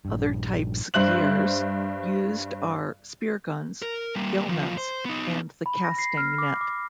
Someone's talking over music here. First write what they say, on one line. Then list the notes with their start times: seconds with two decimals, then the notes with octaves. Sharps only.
Other types gears used are spear guns, gillnets and the casting net.
0.05 A#1 G2
0.94 G2 C5 E5 F#6 F#7
3.82 A#4
4.16 G3 A#3
4.48 D#2 F3
4.78 C5
5.05 B3 D#4
5.66 B5
5.84 A#6
5.98 C7
6.17 F6
6.38 D6
6.61 D6